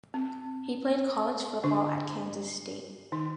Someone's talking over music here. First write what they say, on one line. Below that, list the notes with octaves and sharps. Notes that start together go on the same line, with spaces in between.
He played college football at Kansas State.
C4
D3 D4
D#3 D#4